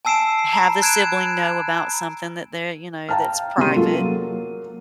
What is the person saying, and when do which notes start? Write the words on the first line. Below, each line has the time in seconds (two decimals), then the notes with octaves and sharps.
have the sibling know about something that they're, you know that's private
0.05 G#5 A5 E6 C7 D7 E7
0.53 A#5 B5
0.82 F#6 G#6 D7 E7
3.09 F5 G5 A5 A#5 F6
3.58 C3 G#3 C#4 C6 D#7
3.76 F#3 G#3 A#3 F4 A4
4.00 F#3 A#3